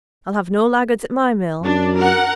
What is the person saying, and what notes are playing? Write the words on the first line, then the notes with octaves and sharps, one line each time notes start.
'I'll have no laggards at my mill.
F#2 D4
A#4 F#5